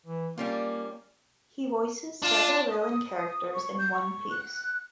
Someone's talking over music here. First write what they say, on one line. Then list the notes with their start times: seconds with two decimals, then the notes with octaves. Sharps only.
He voices several villain characters in "One Piece".
0.06 E3
0.38 G3 A#3 C#4 F4
2.23 D4 F4 E7
2.71 D#6
3.54 C#6
3.79 G6
3.93 C#6
4.31 F#6